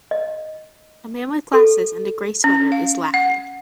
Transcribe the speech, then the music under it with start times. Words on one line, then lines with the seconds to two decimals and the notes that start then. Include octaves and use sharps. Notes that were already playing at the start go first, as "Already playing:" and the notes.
A man with glasses and a gray sweater is laughing.
0.11 D#5
1.53 A4
2.44 C#4
2.72 F5
3.14 F#5